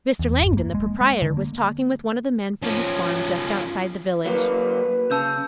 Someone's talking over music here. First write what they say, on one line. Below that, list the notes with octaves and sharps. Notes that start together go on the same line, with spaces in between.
Mr. Langdon, the proprietor, was talking with one of the men from his farm just outside the village.
E2
G1
A#3
G#3
G#3
D3
A#3
F3 C#4
F#3 A#3 B4
C#3 A5 E6 G6